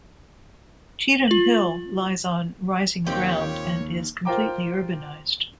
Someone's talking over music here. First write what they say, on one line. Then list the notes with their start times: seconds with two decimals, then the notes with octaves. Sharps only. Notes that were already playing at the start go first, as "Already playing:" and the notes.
Cheetham Hill lies on "rising ground" and is completely urbanised.
1.28 F4 F#7
3.07 D#2 A#2 C4 G4 C#5
4.25 F4 A#4 C5 G5 A#5 D6